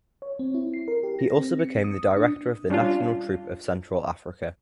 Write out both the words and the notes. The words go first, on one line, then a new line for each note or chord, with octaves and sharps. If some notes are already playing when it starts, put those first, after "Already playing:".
He also became the director of the National Troupe of Central Africa.
C#5
C4
E4
C7
A#4
G4
A#6
C4
C#7
D#6
D4
G3 C#4 D4 F4